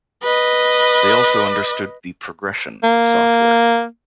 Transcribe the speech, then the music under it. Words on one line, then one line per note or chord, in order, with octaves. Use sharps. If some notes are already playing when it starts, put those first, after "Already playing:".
They also understood the "progression" of software.
B4 D#5
A#3